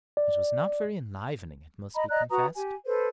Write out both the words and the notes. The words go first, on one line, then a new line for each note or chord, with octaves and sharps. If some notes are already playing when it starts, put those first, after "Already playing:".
It was not very enlivening, it must be confessed.
D5
D#5 A#5 B5
D5 D#5 A#5 F#6
F#4 B4 A#5 D#6
G4 G#5
A4 B4 C5